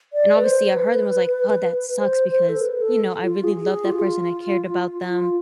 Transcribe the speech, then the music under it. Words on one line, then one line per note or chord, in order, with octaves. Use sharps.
And obviously, I heard them, I was like, "Oh, that sucks," because, you know, I really loved that person, I cared about them,
D5
B4
C5
B4
C5
C5
A4
B4
A4
F4
G#4
G#4
F4
G#4
F4
F4